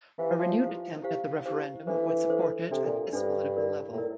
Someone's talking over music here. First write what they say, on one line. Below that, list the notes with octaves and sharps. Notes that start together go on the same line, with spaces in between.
A renewed attempt at the referendum was supported at this political level.
E3 E4 G4 C5 F5
F3
E4 G4 C5 F5
E4 G4 C5 F5
E4 G4 C5 F5
E3 D4 A4 C5
D4 A4 C5
C3 D4 A4 C5
A#2
G2 D4 A4 C5
E4 A#4 D5
A2
E4 A#4 D5